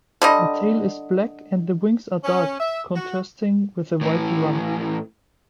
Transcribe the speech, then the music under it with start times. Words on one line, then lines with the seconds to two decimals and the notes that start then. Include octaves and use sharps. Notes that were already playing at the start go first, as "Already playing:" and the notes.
The tail is black and the wings are dark contrasting with a white rump.
0.22 D3 G3 D#5
2.24 C#4
2.60 E5
2.95 F#4
4.01 A2 E3